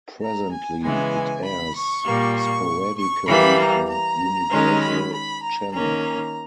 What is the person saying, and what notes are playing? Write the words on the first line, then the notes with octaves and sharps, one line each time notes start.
Presently it airs sporadically on Universal Channel.
A#5
G#5
C#3 E3 G#3 B3 G#5
B5
C#6
A#2 G3 A#3
C#6
C#6
E3 G3 A#3 B5
A#5
A#5
D#3 G#3 C#4
B5
B5
A#5
D#3 A#3 C#4 A#5
A#5